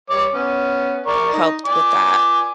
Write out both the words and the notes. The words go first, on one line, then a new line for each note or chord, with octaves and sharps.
helped with that.
G3 C#5 D6
B3 C#4
A#4 D5 C#6
D#4
D5 G#5 D6